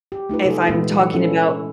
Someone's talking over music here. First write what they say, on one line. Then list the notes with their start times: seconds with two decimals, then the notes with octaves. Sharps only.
if I'm talking about
0.12 G4
0.29 A3 D#4 F4 B4
0.45 C3 G#4 A4
0.69 A#2 E3 G#3 B3 E4 B4
0.93 G#3 F#5
1.13 C#4 E4 A4